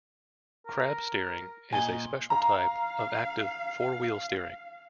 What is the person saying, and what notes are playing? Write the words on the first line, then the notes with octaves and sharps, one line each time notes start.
Crab steering is a special type of active four-wheel steering.
A#4
A#2 D#5 G#5
F5 A#5